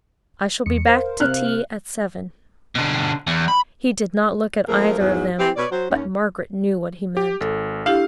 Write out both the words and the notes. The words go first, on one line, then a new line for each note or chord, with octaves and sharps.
I shall be back to tea at seven.' He did not look at either of them, but Margaret knew what he meant.
E2 C#7
A#4 C5 F5
C3 F6 F#6
B2 D3
E2
B5
F3 A3 A#3 C4 G#4 A#4
E2 G#2 F#3
E3 C4 G4
B2 B4 C#5 D5
F#3 C5
D#2 C#4
G4
G#1 A4
D4 E4 G4 F5